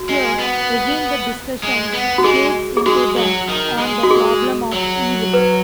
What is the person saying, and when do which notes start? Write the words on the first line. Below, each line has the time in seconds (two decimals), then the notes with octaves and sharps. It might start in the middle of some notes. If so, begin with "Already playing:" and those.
Here, again, the discussion shades into that on the problem of evil.
Already playing: F#4
0.09 G#3
0.39 B3
1.63 G#3
1.93 B3
2.18 F#4
2.24 G#3 G#4
2.77 G#4
2.86 G#3 F#4
3.18 F#3
3.49 D#3
3.79 G#3
4.03 F#4
4.11 G#4
4.72 F#3
5.33 B4